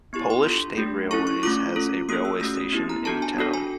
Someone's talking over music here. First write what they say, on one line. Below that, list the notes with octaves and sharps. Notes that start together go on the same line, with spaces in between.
Polish State Railways has a railway station in the town.
B3 E4 G4 C#6
C6
D4 F4 A4
A3 D4 G4
C#4 E4 A4 C#6
C#6
A3 C#4 F4 D6
C#4 F4 A4
A#3 C#4 F4 G#4 D#6
E6
A3 C#4 F#4 E6
D#6
B3 E4 G4
A#5
B3 D4 F#4 A4 A5
G#5
D4 F#4 A4
G#5